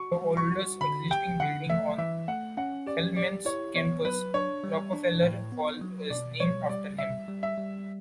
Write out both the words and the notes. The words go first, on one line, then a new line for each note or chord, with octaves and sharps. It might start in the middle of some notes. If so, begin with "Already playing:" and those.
The oldest existing building on Spelman's campus, Rockefeller Hall, is named after him.
Already playing: F#4 C#6
G3
C#6
F#4
D3 B5
G4 G5
D3 F#5
A3 E5
E3 E5
A3 F#5
C#4 F#5
G4 D5
G4 D5
E4 C#5
B3 C#5
F#3 B4
D4 C#5
G3
D4
A2
B3
F#3
B2 D5
G3 C#5
G3 D5
G3 E5
G3
E5
G3